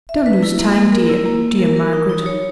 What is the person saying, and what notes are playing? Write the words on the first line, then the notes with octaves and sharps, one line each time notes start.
Don't lose time, dear, dear Margaret.
E5
B4
E4
A#3
A#3
A#4
E4
A#3
A#3
A#4
A#4
D#4
D#4
C#5